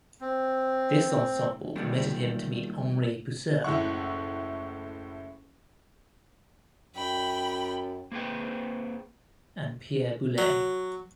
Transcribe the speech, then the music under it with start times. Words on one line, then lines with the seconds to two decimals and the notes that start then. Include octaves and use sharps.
This ensemble permitted him to meet Henri Pousseur and Pierre Boulez.
0.21 C4
1.76 E2 A#2 D#3 G3 G#3 D4
3.64 F#1 A2 E4 F#5 C#6
6.94 F#2 G5 B5
8.12 A#3 C4 G#4 B4 G5
10.38 F#3